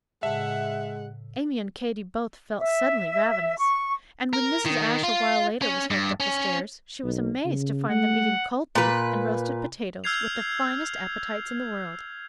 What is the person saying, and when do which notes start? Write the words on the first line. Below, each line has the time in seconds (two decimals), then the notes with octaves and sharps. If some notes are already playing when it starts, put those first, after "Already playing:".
Amy and Katy both felt suddenly ravenous; and when Mrs. Ashe awhile later was helped up the stairs, she was amazed to find them eating cold beef and roasted potatoes, with the finest appetites in the world.
0.23 A2 C#3 G#3 E5 F#5 A5
2.59 E5
3.59 C#6
4.33 A#4
4.66 D#3
5.03 F4
5.62 C#4
5.90 G2
6.20 C#4
7.04 B1
7.45 C#3
7.90 A3 F#5
8.75 A#2 B4
10.04 E6 F6 G6 G#6 C7 F7